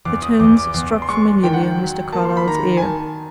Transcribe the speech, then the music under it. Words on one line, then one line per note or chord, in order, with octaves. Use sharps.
The tones struck familiarly on Mr. Carlyle's ear.
E2 D6
D#6
E2 D6
D6
E2 D6
C6
G#3 C#6
D#3 G5
F#5
G5
F#3
A#3 A5
C6
B5
D#3 A#5
G#5
D#3 A5